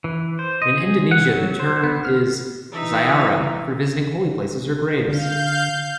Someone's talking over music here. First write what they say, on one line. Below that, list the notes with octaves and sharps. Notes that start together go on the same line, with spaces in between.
In Indonesia the term is "ziarah" for visiting holy places or graves.
E3
C5
D#5
G#4
F#5
F#3
C5
B3
F6
E3 D#4 E5
D3 F5 G6